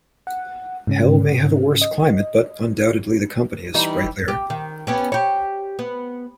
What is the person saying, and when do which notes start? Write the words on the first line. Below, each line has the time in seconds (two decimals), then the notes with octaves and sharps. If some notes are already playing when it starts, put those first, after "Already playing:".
Hell may have a worse climate but undoubtedly the company is sprightlier.
0.27 F#5
0.87 G#2 C#3 C#4
1.81 D#5
3.74 E3 G3 D#4
4.28 G4
4.50 D#3
4.87 B3 C#4 G4
5.12 G4 C#5
5.79 B3